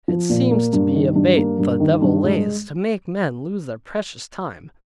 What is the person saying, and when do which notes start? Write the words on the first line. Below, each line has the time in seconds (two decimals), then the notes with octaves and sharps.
It seems to be a bait the devil lays to make men lose their precious time.
0.08 F3
0.29 A#2
0.51 A#3
0.73 G2
0.95 D#3
1.16 G2
1.37 A#3
1.58 G2
1.80 D#3
2.02 G2
2.24 G#3